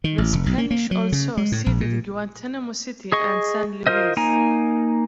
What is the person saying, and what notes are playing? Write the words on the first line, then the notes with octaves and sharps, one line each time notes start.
The Spanish also ceded Guantanamo City and San Luis.
D#3
A1
F1
B1
A#3
A#3
F#3
C#3
G#3
A2
A#1
A#2
G#4 D#5 C#6
F4 A#4 C5 D#5
A#3 D#4 G#5 A#5